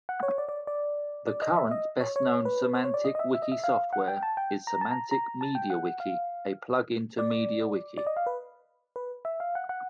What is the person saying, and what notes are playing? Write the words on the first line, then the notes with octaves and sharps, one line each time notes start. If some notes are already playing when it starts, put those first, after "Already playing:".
The current best-known semantic wiki software is Semantic MediaWiki, a plugin to MediaWiki.
F#5
C#5
D5
D5
D5
D5
D#5
E5
D#5
C#5
C#5
B4
C5
C#5
D5
D#5
D#5
E5
E5
D#5
E5
F5
F#5
G5
A5
G5
A#5
A5
A#5
A#5
A5
G5
F#5
F5
D5
D5
D#5
F5
B4
B4
E5
F5
F#5
F#5